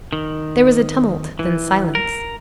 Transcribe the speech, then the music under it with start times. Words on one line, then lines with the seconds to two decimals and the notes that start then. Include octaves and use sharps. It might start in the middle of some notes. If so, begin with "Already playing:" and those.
There was a tumult, then silence.
0.13 D#3
1.39 E3
1.95 A#4